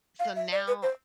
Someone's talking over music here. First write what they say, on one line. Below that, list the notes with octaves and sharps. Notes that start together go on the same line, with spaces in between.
So now
F5
E5
D5
B4
C5